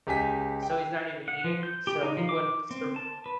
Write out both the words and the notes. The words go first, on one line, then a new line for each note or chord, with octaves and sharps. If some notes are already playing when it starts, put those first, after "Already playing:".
so, he's not even eating. So, he wouldn't surv
C#2 G4 G#5 B6
G5
F#5
F3
G6
G4
D#4
F3
D6
C4
A5
B4